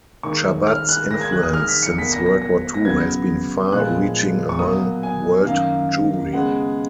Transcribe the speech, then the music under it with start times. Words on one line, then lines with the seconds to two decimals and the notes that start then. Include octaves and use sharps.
Chabad's influence since World War Two has been far reaching among world Jewry.
0.23 G#2 D#3 A#3 C#6
0.67 F6
0.89 F#6
1.11 G#2 D#3 A#3 A#6
1.21 G#6
1.33 F#6
1.43 D#6
1.54 F6
1.68 B6
1.83 C#7
1.98 B2 A#3 B6
2.12 A#6
2.26 A#6
2.42 A#6
2.74 A#6
2.85 C#3 F#3 B3 G#6
3.72 A#2 F3 G#3 B3 F#6
4.49 C#6
4.59 B2 F#3 A#3 D#6
5.03 G#5
5.46 F#2 D#3 A#3 F5
6.33 C#3 G#3 B3 F#5